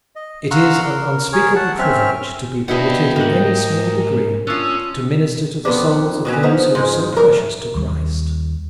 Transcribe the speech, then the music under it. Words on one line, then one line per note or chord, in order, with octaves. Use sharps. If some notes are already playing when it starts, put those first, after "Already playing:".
It is an unspeakable privilege to be permitted in any small degree to minister to the souls of those who are so precious to Christ.
D#5
F5 F#5 A#5 C6 C#6 E6
A#4
G#4 A#4 C#5
F#5 A5
C4 C#4 E5 F6
B2 D4 E4 A#4 B4 D#5 F#5 G5
G#2 A#3 A#4 F#5
C#4 D4 F4 C#6 D#6 E6
F2 B3 D4
B2 F#3 C#4
F3 B3 D#4
F2 G#2
D2 A#4
D#2 G3